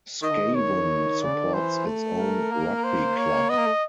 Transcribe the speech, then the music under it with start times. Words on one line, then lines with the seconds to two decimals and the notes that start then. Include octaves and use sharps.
Skewen supports its own rugby club.
0.22 D#3 D#5
0.31 D3
0.41 D#3
0.55 C#5
1.21 C#3 D5
1.35 D3
1.44 D#3
1.53 E3 C5
1.86 A3
2.19 A#4
2.52 A#3
2.84 C5
3.17 C#5
3.49 B3 D#5
3.58 A#3
3.67 A3